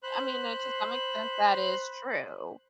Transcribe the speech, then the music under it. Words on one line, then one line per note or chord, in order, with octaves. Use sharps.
I mean, it to some extent, that is true.
C5 B5 F#6